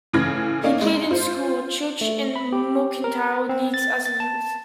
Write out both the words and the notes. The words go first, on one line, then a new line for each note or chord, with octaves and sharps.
He played in school, church and mercantile leagues as a youth.
A2 C#3 E3 F6 G#6 A#6
A#3 C#4 D#4 D5 F5
G#3
F4 C5
A3
B5
G4
A#4
C4
A6
A6
A5